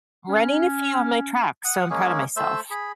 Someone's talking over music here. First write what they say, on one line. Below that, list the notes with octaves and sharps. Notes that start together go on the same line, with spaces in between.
running a few on my track, so, I'm proud of myself.
C#4
F#5 D#6
G#3 A#3 C#4 G#4
A3 C5 E5 E6
G#4 B5